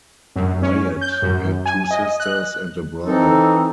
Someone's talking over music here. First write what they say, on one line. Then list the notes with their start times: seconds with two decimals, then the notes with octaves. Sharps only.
Wyatt had two sisters and a brother.
0.36 F#2
0.62 C#4
1.01 G6
1.22 F#2
1.66 G#5
1.91 D#5
2.20 F#6
3.05 E3 C4 D#4 A4